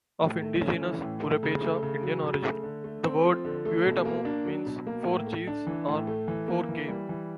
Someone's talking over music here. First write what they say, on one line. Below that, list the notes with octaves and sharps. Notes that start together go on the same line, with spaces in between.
Of indigenous Purepecha Indian origin, the word "Huetamo" means "four chiefs" or "four came".
A2
A3
C#4
E3
A2
A3
C#3
A3
C#3
F#3
C#3
A3
D3
A3
C4
F3
D3
A3
B2
A#3
D4
F#3
B2
A#3
A2
A3
D4
E3
A2
A3
E3
A#3
E3
G3
E3